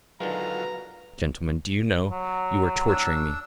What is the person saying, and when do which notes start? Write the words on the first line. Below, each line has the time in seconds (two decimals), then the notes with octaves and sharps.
Gentlemen, do you know, you are torturing me!
0.20 B2 D3 D#3 F#3 G#3 F4 A#5
2.11 F#3
2.88 D4 E6